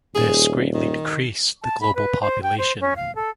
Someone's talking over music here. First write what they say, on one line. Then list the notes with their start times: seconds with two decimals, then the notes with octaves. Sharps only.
This greatly decreased the global population.
0.15 D#1 G#4
0.74 D#3
1.63 A5
1.81 B5
1.95 B4
2.22 C5
2.43 G5
2.58 C5
2.81 C#4
2.96 F5
3.15 A4